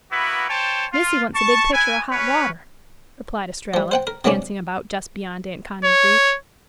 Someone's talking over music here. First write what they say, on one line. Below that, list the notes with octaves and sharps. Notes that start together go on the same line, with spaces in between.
"Missy wants a big pitcher of hot water," replied Estralla, dancing about just beyond Aunt Connie's reach.
A#3 B3 E4 F#4 B4
C5 C#5 G5 A5
F4
A5 C#6
E4 B4 G#5
C#4 B4 C#5
F3 G3
C5 F#5 G5
A#4
C3 F#3 G#3 A#3 C#4 D4
C#5